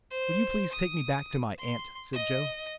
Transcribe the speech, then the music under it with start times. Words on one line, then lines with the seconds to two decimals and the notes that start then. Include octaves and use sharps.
"Will you please take me back to my aunt?" said Joe.
0.11 C5
0.72 D#6
1.58 C6
2.13 D#5